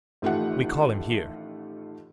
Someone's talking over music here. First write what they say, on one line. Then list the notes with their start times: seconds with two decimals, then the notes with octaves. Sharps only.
We call heem here.
0.22 A1 D#3 A3 F4 G4 F#5